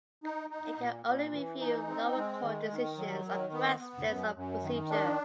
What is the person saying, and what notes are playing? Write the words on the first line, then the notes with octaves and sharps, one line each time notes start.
It can only review lower court decisions on questions of procedure.
D#4
D#4
A#2
A#2
E3
D#4
C4
G#3
D#3
D#3
F#3
D#3
B3
B3
F#2
F#2
D#3
D4